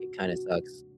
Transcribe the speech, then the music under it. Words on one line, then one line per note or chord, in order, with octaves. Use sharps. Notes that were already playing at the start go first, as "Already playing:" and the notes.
it kinda sucks,
Already playing: F#4
F#4